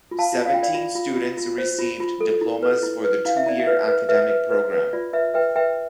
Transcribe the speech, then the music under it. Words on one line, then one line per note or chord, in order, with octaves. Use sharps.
Seventeen students received diplomas for the two-year academic program.
F4
F5 A5
F4
F5
F4 G5
D5 F5
F4
F4
F4
F4
C5
F4
F4
A4
E4
B4
E4
B4
E4 F5
E5
E4 D5
E5
B4
B4
B4 E5
B4
B4
B4
F4 D5
B4 E5
B4 E5 G5
B4 E5 G5